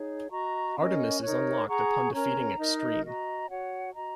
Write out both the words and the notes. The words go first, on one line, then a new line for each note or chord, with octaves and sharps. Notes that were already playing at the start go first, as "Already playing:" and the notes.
Artemis is unlocked upon defeating Extreme.
Already playing: D#4 G#4 C#5
F#4 D#5 A#5 C#6
C#4 A#4 D#5
D#4 A#4 C#5
G#4 F#5 A#5 C#6
C#4 A#4 C#5 A#5
D#4 A#4 D#5
F#4 D#5 A#5
F#4 C#5 F#5
F#4 D#5 A#5